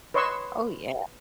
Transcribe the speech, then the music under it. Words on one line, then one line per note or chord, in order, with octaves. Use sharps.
Oh, yeah.
B4 C#5 D#5 C6 C#6 E6